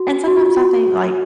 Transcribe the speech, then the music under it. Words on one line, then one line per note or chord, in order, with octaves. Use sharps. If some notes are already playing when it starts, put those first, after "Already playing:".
And sometimes I think like,
Already playing: F#4
F#4
F4
F4
F#4